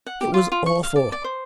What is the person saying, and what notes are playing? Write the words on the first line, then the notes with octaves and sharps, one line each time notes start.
It was awful.
F#5
G4
F4
F4
C#6
F5
D5
D5
C5